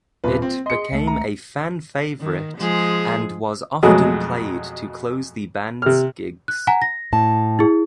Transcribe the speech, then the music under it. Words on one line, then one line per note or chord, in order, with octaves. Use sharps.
It became a fan favourite and was often played to close the band's gigs.
D#1 B2 F4 B4
C4
G#4 D#5 C6 C#7
C#2 A3
A#5
D#3
F3 G#3 G#4
F2 B2 F#3 G#3 A3
C3 F6
F#6
F#5 G#5 A#5
A#6
A2 A5
E4 G#4